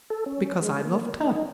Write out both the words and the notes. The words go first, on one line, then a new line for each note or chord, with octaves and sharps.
"Because I loved her."
A4
C#4
G#3
A#3
D#4